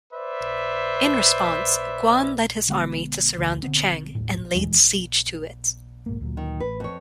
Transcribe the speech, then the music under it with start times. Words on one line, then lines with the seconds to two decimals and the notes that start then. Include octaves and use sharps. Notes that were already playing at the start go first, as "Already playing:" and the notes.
In response, Guan led his army to surround Duchang and laid siege to it.
0.12 B4 C5 D5 E5
2.69 D3 G#3 B3
3.38 D2
3.63 D3 E3 B3 C4
4.15 D#1 C2 A2
4.55 D#1 E2 E3 G#3
6.06 B1 G#2 A#3
6.21 D2 A#2 F#3
6.37 D#3
6.60 A1 B4
6.80 F2 C#5